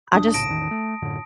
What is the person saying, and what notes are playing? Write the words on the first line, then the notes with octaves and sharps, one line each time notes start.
I just
E1 D4 D#6
B1 A2 C#3 A5 A#6 D7
A1 E2 D#3
A3
F#2 A2 D3